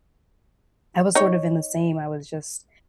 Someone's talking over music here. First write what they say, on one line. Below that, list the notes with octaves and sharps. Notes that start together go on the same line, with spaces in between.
I was sort of in the same, I was just
D#4 C#5